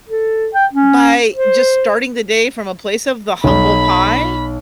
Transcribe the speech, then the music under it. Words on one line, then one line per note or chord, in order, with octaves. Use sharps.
by just starting the day from a place of the humble pie,
A4
G5
C#4
C5
B1 B5